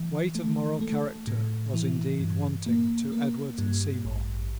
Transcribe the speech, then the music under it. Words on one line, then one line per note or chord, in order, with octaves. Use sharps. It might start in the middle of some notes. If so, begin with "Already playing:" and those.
Weight of moral character was indeed wanting to Edward Seymour.
Already playing: E3
A3
A3
A2
E3
G2
A#3
A#3
G2
A1